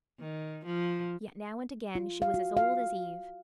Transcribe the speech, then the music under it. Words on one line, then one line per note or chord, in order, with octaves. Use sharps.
Yet now and again she was as old as Eve.
D#3
F3
F4
F5
F#4
F5